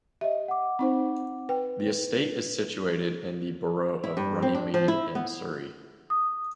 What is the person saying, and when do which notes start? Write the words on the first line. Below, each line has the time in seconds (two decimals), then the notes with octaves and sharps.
The estate is situated in the Borough of Runnymede in Surrey.
0.21 G4 D#5 E5
0.48 F#5 D6
0.79 C4 D#4 C5
1.49 B4 G5
4.04 E4
4.17 G2
4.42 C4
4.55 D4
4.74 F3
4.88 E4
5.15 B3
6.10 D#6